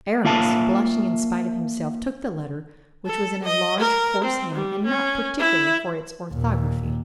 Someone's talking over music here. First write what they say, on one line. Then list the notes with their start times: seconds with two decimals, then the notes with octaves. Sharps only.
Aramis, blushing in spite of himself, took the letter, which was in a large, coarse hand and not particular for its orthography.
0.25 A#3 F4 E5 A5
3.06 A4
3.44 D#5
3.80 A#4
4.24 C4
4.55 G3
4.86 C#4
5.39 E4
6.32 D#2 A#2